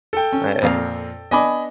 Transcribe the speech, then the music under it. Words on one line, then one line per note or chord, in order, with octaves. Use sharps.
I it
A4 G5
C#4
F2 A#2 F5
B3 D4 D#5 G#5 B5 D6